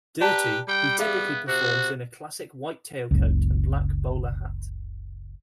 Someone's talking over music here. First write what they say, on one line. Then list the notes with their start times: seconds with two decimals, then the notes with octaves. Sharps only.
Dirty, he typically performs in a classic white tailcoat and black bowler hat.
0.21 G4 B4 D5 A5 A#5
0.68 G3 G5
0.99 B3 G#4 E5 F5
1.48 C3 F#4
3.11 F#1 C#2